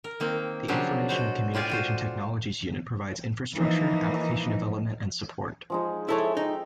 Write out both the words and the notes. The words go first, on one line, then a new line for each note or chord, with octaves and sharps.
The Information and Communication Technologies Unit provides infrastructure, application development and support.
A#4
D#3 A#3 C4
C#3 F3 F#3 D4 G4
B2 F#4 C5
A2 F4 G4 D5 G#5
F4 F#4 C5
E3 F3 A#3 D#4
F3 G#3 D#4
E4 A4 C#5 E5
D#4 G5